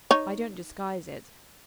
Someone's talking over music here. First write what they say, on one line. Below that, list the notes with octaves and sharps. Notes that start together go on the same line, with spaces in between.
I don't disguise it.
D#4 C#5